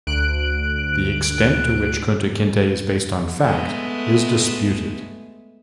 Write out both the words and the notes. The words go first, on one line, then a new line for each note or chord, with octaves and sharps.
The extent to which Kunta Kinte is based on fact is disputed.
D2 F#6 D7
G#3 A3 B3